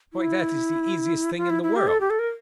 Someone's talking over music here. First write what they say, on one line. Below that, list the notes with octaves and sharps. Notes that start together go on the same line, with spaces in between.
Why, that is the easiest thing in the world.'
E4
F4
E4
E4
G4
A4
G4
A4
A#4